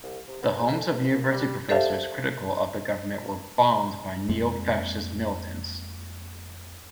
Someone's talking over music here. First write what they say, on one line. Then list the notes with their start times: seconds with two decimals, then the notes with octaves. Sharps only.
The homes of university professors critical of the government were bombed by neo-fascist militants.
0.03 C2
0.27 C3
0.42 B3
0.61 C#3
0.76 A4
0.93 G2
1.11 D#2
1.31 G3
1.69 G4 A4 C5 E5 F5 A5
4.29 F2 G#3 A#3 C4